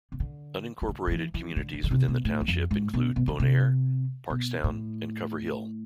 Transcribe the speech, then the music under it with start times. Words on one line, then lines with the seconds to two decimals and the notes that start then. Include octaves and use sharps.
Unincorporated communities within the township include Bon Air, Parkstown, and Cover Hill.
0.12 C3
0.20 D3
0.82 E3
0.89 D3
1.07 D3
1.11 E3
1.34 E3
1.56 D3
1.73 D3
1.84 D3
1.91 C3
2.08 B2
2.25 A2
2.41 E2
2.48 F2
2.71 G#2
2.94 B2
3.16 B2
3.28 D3
3.39 C3
4.30 B2
4.64 A2